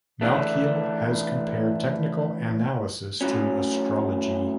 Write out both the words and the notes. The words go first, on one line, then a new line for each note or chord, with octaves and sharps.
Malkiel has compared technical analysis to "astrology".
E3 A3 D4 A4
A2 F#3 C#4